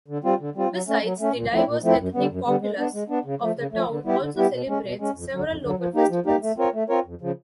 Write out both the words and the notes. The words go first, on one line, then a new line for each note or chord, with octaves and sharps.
Besides, the diverse ethnic populace of the town also celebrates several local festivals.
D3
G3 C4 F4
D3
G3 C4 F4
F#3
A3 C#4
F#3
A3 C#4
A#2
F3 A3 C4 E4
A#2
F3 A3 C4 E4
F#2
D3 G3 B3
F#2
D3 G3 B3
G#3
B3 D4
G#3
B3 D4
C#3
F3 A3
C#3
F3 A3
D3
G3 B3 E4 G4
D3
G3 B3 E4 G4
B2
G#3 C#4
B2
G#3 C#4
F2
D3 F#3
F2
D3 F#3
F3
A#3 D#4 G4
F3
A#3 D#4 G4
A3
C4 F4 A#4 C#5
A3
C4 F4 A#4 C#5
F2
C#3 F3